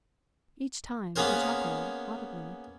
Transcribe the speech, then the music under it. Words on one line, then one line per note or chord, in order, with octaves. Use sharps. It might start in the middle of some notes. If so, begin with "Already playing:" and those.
Each time he chuckled audibly.
A#3 B3 C#4 G#4 A#4 C5